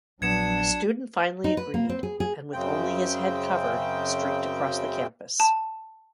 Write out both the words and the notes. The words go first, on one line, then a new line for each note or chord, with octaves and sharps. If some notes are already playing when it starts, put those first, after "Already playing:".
A student finally agreed, and with only his head covered, streaked across the campus.
A#1 F#3 B3 D4 G#6 C#7 E7
D#4
B4
A#3
C4
G#4
G#4
F#2 C#3 C4 G5
A5